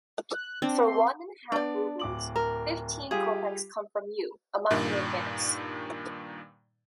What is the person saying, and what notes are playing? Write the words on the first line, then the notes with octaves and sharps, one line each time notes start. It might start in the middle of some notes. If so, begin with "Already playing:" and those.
For one and a half rubles, fifteen kopecks come from you, a month in advance.
F#6
C4 D4
C6
B3 D4 D5
D1 D6 F#7
A#4
G3 F4 G4 G#4
G2 A#2 D#3